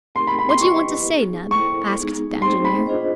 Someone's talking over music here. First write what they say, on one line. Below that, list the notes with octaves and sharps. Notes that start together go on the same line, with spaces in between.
"What do you want to say, Neb?" asked the engineer.
A3 C4 D#4 G4 A#4 C6
B5
B5
C6
E4 G4 B4 D#5 F#5 C#6
B3 D#4 G#4
E4 A4 C5 C#6
G#3 B3 D#4 G#4
A3 C4 D#4 G#4 C5 C6
B5
D4 F4 G#4 C5 D#5